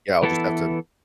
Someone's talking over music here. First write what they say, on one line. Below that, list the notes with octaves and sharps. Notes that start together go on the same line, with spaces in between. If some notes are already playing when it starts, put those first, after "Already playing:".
Yeah, I'll just have to
E3 B3 E4 A4